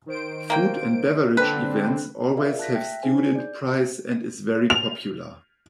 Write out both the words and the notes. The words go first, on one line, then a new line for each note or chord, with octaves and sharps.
Food and beverage events always have student price and is very popular.
D#3 C5 D7
A#3 G5
D3 C4 D4 B4
F4 G#4 A#4 D5 E5 F5
A5 F#6 A#6 B6
E5 G5
D4 D#4 G#4 C5 G#5
D5 G6
F7